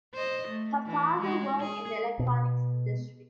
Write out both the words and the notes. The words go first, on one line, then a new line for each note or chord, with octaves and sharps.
Her father worked in the electronics industry.
C5 D#5
A3
E3
G#3 D#4
G#4
B2